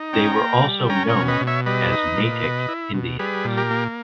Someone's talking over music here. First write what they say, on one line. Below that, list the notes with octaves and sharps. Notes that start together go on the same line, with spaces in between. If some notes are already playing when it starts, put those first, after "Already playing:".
They were also known as Natick Indians.
Already playing: D#4
C#4 G5 A#5
A#3
G3
C#4 G5 A#5
A#4 C#5
B2
B4 D#5
B2
C#5 E5
G3 B4 D#5
D#4
A#2
B2
E4
B2
G3 G#4 B4
A#2
G4 A#4
A#3